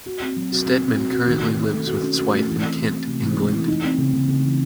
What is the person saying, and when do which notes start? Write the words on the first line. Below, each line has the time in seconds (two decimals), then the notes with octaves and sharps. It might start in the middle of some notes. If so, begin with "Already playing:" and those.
Steadman currently lives with his wife in Kent, England.
0.06 F#4
0.22 C4
0.36 F#3
0.52 F#4
0.66 C4
0.81 C4
0.97 F#4
1.12 F#4
1.27 D#3
1.42 A3
1.57 D#3
1.72 A3
1.87 F#4
2.02 C#4
2.18 F#4
2.32 A3
2.47 E3
2.63 C4
2.77 E3
2.92 C4
3.07 C3
3.23 E3
3.38 G#3
3.53 E3
3.68 D#4
3.84 C4
3.98 C#3
4.13 C#3
4.28 C#3
4.44 E3